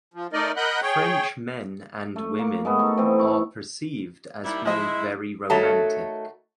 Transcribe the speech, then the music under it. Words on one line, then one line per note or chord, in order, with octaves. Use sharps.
French men and women are perceived as being very romantic.
F3
A3 D#4 A#4 D5 D#5
A#4 D#5 F#5 B5 F#6 G6
G#4 C#5 G5
A3
A#3
G#3 A3 B3
D#4 A4 C#6
E3 A3 C4
C#6
D#2 G3 E4
F3 G#3 E4 D#5
D#3 A3 F#4 A4 C#5 A5